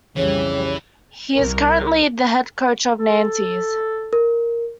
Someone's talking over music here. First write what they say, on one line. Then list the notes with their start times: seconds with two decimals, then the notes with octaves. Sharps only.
He is currently the head coach of Nantes.
0.17 B1 F2 C#3 E3 G3 C#5
1.35 C2 A#4
2.99 A4
4.13 A#4